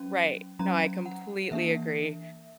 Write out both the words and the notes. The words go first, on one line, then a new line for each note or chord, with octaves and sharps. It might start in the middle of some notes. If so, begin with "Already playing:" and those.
Right, no, I completely agree.
Already playing: F#3 C#4
F#3 C#4 A#5
F#5
E3 A#3 D4 E5